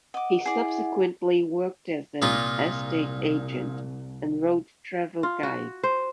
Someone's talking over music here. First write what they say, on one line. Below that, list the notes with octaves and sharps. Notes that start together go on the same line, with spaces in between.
He subsequently worked as an estate agent and wrote travel guides.
D#5 F#5 D6
E4 G#4 D5
C2 A#2 D#4 F4
F4
F#4
C5